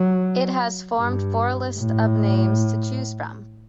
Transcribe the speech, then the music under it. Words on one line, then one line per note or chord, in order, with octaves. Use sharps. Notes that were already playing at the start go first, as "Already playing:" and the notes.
It has formed four lists of names to choose from.
Already playing: F#3
G2
A2